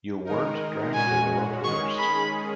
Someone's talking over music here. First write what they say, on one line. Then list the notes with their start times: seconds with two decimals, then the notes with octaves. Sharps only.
You weren't drafted or forced.
0.24 D#3 G#3 D#4 A#4
0.94 A#2 G#3 C#4 F#4 G#5
1.64 D#3 G#3 C#4 G#4 C#6
1.99 B5